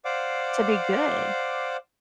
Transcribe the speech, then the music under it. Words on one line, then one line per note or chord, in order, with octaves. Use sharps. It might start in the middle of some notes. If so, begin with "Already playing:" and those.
to be good,
C5 D5 F5 F#5 D6